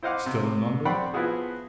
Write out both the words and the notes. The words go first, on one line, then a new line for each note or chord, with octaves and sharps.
"Still in London?"
E4 C5 D#5 F5 F#5 D6
C3
C4 G4 D5 F#5 B5 C#6
F3 B3 E4 F#4 G#4